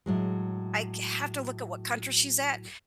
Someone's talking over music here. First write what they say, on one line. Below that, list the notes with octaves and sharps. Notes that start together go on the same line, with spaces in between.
I c have to look at what country she's at.
A2 F#3 G#3